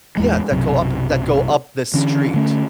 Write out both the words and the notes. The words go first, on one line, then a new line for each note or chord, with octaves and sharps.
Yeah, that go up that go up the street-
A1 E2 G#3
B1 F#2 C3
D3 E3 C#4
D3 A3 C#4